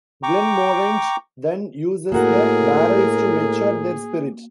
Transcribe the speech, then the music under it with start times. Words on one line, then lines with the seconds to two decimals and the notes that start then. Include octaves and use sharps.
Glenmorangie then uses the barrels to mature their spirit.
0.23 G5 A#5 C#6 D6
2.12 A2 A#3 F#4 G#4 A#4 F#5